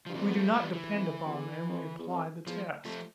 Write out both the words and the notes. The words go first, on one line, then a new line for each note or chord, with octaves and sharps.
We do not depend upon them--we apply the test.
G2 F3
F2 E3 G3
B3
F3 A3
G3 B3
E3
F2
F2
E2
F2
E2
F2
E2 F3
F2 F3 A3